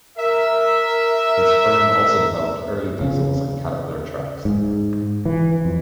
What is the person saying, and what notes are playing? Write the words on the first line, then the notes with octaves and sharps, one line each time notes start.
His firm also developed early diesels and caterpillar tracks.
A#4 E5
C#3
G#2
E3
F2